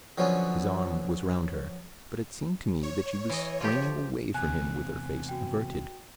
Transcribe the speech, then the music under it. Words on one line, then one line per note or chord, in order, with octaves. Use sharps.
His arm was round her, but it seemed to me that she was straining away from him with her face averted.
D3 F3 F#3 B3 C#4
C#5
E3 D#5
F3 F4 G4
E2 C3 G#5 F#6
F#4 G5